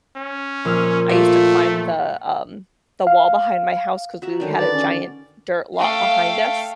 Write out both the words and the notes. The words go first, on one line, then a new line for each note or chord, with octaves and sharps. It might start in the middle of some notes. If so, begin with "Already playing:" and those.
I used to climb the, um, the wall behind my house 'cause we had a giant dirt lot behind us,
C#4
A#1 E6 F6
A#2 A3
F5
F#4 E5 A#5
D3 D#3 D4 C#5
B4 D5
C#4
A3 F5 G5